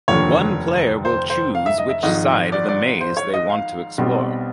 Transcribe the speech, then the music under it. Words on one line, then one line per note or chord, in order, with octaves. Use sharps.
One player will choose which side of the maze they want to explore.
F1 D#2 D3 F3 C#5
C5
C5
F5
E5
D#5
E5
G#1 G#2 F3 D#5
D5
D5
C5
C#5
D#5
F5
B1 B2 G3 C4